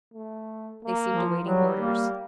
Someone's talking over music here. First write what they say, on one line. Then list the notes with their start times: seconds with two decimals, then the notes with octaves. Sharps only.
They seemed awaiting orders.
0.14 A3
0.84 A#3
1.14 F3
1.44 F#3 G3
1.75 A#3